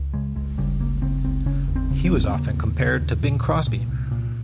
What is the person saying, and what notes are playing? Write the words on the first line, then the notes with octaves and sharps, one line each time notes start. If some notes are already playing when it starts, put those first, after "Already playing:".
He was often compared to Bing Crosby.
Already playing: C#2
C#3 G#3
C#2 G#3
C#3 G3
C#2 A#3
C#3 C4
C#2 C4
C#3 C#4
D#2
C4
C#3
C4
D#2
C4
C#3 A#3
D#2
C#3
D#2
A#2
C2
A#2
C2
A#2